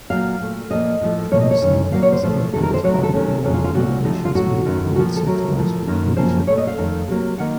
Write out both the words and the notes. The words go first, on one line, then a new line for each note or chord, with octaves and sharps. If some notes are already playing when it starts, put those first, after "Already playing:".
John Seybert was elected as part of the young denomination's move towards centralized leadership.
A#2 F#3 A#3 F5
A#2 A3
A#2 F3 A#3 D#5
A2 F3 A3
A2 F3 A#3 C#5
D#5
C#5
F#2 D#3 A3
A#2 F#3 A#3 F5
C#5
C5
A2 F3 A3 C5
F2 C3 D#3 A4
A#4
C5
C3 F#3 A3 C#5
A#4
A4
C3 D#3 A3 C#4
F2 C#3 F#3 C#4
F4
F4
A#2 F#3 A3 F#4
C3 F3 A3 D#4
F4
F4
A2 F#3 A3 F#4
F#2 D#3 A3
A#2 F3 A#3 F#4
A4
C3 F#3 A3 A#4
A2 F3 A3
F#2 D#3 A#3
F#2 C#3 F3 A#3 C5
A#2 A3 C#5
D#5
F5
F2 D#3 A3
C3 F#3 A#3
D#3 A#3 F#5